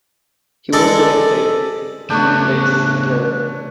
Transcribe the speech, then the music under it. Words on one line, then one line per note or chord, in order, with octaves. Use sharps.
He was selected to replace Kher.
G#3 D4 A4
C#3 A3 B3 D4 C#5 F#6 G6